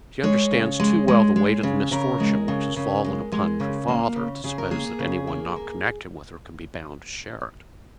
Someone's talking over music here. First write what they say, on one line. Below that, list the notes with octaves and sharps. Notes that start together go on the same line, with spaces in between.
"She understands too well the weight of the misfortune which has fallen upon her father, to suppose that any one not connected with her can be bound to share it."
G#3 C#5
C#3
G#3
G#3
G#3
C#3
C#3 A#4
G#3
C#3
C#3
G#3
G#3
C#3
A#3
C#3
C#3 G#4
A#4
A#3 G#4
C#3
A#3
A#3